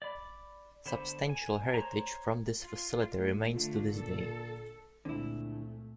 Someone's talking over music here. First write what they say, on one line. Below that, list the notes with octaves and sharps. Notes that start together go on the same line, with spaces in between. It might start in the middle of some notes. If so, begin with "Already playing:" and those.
Substantial heritage from this facility remains to this day.
D5 B5
D3 B3 C5 B5
G#5
C5 C#5 A#5
F4
A3
D3 A3 F4
A#2 A4
C#2 A#2 D3 A3 C4 E4